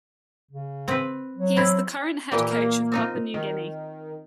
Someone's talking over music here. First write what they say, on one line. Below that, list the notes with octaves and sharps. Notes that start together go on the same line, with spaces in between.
He is the current head coach of Papua New Guinea.
C#3
C4 B4
F#3
C4 E4
A#2 E3 G4
A#3
C4 D#4 F4
D#3